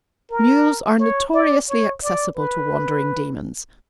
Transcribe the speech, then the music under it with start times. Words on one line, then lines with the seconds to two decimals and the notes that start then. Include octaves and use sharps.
Mules are notoriously accessible to wandering demons.
0.31 A#4
1.00 C#5
1.34 D5
1.69 C#5
2.04 D5
2.37 B4